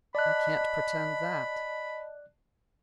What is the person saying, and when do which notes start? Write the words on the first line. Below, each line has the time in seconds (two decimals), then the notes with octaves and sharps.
"I can't pretend that."
0.15 D5 D#5 A5 B5 F#6